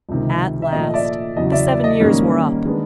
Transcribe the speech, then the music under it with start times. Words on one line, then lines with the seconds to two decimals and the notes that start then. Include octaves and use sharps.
At last the seven years were up.
0.09 C#2 C3 D#3
0.62 E5
0.72 A#2 D#5
0.75 F3 A3
0.83 D#5
0.94 D5 E5
1.36 E2 C#3 F#3 D#5
1.52 D5 E5
1.68 D5
1.84 D#5
2.00 G#2 D#3 G3 A#3 C#4
2.65 D#3 G#3 B3 D4